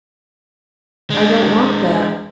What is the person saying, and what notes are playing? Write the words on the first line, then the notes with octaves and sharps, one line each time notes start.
I don't want that.
G#3 D4